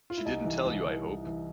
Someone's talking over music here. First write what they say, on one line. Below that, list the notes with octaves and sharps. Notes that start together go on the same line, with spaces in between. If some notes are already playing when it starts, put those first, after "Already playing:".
She didn't tell you, I hope?
F4
E4
C2 D#4
E3
C2
E3
C2
E3